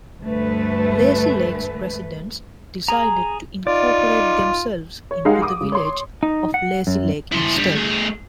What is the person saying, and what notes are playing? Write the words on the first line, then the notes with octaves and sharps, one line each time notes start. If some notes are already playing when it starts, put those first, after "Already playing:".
Lazy Lake's residents decided to incorporate themselves into the Village of Lazy Lake instead.
D2 G2 A3 B4
G#4 A#5
D#4 F4 D5
C#5
G#3 D#4 G4 G#4 F5 F#5
D6 D#6
C#3
C#5 C6
D#4
F#5
F#2
E4 C5
D3 G3
A3 G#4